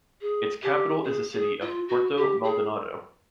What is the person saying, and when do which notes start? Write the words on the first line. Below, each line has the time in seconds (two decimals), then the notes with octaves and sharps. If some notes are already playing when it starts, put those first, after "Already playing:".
Its capital is the city of Puerto Maldonado.
0.21 G#4
0.63 G4
1.05 G#4
1.33 G#4
1.61 F4
1.89 F#4
2.17 G4
2.44 G#4